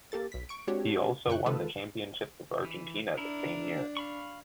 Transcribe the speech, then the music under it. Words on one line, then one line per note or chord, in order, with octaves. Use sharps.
He also won the championship of Argentina the same year.
A#3 G4 A4 A6
B1 B6
C#6 D7
G#3 C4 D4 F#4 G4 C#5
F#2 C#3 G5 C#6 F#6
D#3 G#3 F4 A4 B4 A5
E3
D4 E4 A#4
F5 B5 C#6